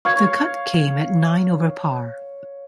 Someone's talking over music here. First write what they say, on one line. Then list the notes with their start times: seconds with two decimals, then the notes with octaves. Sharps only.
The cut came at nine over par.
0.05 C#5 F5 C#6 G#6